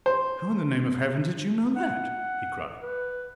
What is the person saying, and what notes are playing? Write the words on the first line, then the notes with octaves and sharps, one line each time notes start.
"How in the name of Heaven did you know that?" he cried.
C5
F#5
B4